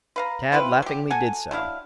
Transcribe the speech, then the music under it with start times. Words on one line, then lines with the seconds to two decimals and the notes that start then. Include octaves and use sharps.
Tad laughingly did so.
0.16 B4 F5 A#5
0.52 C4 E4 F4 B4
0.82 F#3 G4
1.10 F#4 A4 F#5 G#5
1.51 F#3 D4 E4 F5